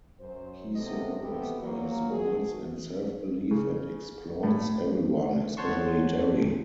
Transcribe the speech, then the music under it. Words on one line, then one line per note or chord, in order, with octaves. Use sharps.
He survives by his wiles and self-belief, and exploits everyone, especially Terry.
F#2 C5
F#2 C3 B3 A4 D#5
C3 B3 F#4 G4 A4
F3 F#3 A#3
A3 F#4 G#4
C#3
A2
C5 C#5 F#5 A5 C6 C#6